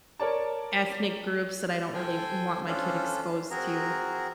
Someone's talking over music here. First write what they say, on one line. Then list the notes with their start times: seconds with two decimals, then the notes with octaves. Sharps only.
ethnic groups that I don't really want my kid exposed to,
0.19 A#4 C#5 D5 A5
1.94 A4 C5 G5 G#5
2.66 C#4 D4 F4 A4 C5
3.50 C4 F#4 G#4 A#4 A#5